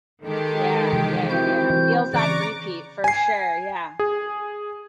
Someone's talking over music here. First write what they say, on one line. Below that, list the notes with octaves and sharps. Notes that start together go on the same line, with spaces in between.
Yeah, yeah, yeah, yeah, meals on repeat, for sure, yeah.
D#3 G#3 G4 A4
C3 E3 F3
C4 E4 F#4 G6
E3
C#3 E3 C#4 D5 A#5 C#6 D6 F#6
G#5 C7
G#4